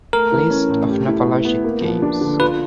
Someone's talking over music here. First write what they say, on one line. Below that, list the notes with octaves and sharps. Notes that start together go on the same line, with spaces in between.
List of NovaLogic games.
A3 A#4
E3
C#4
A2
G4
E4
B4
B3
A#3
F3
D4
D3
F4 B4